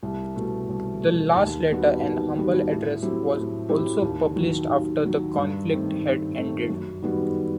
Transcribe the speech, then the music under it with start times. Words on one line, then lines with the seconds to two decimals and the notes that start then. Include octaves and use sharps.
The last letter, "An Humble Address", was also published after the conflict had ended.
0.03 C2
0.36 B2 A3
0.69 C2
1.02 B2 A3
1.36 D#2
1.69 D#3 G3 B3 F#4
2.02 D#2
2.36 D#3 G3 B3 F#4
2.69 A2
3.02 F#3 C4 E4 G4
3.36 A2
3.69 F#3 C4 E4 G4
4.03 D#2
4.36 D#3 F#3
4.69 D#2
5.02 D#3 F#3
5.36 G2
5.70 D#3 A3 C4
6.03 G2
6.36 D#3 A3 C4
6.70 F#2
7.02 D#3 G3 B3 F#4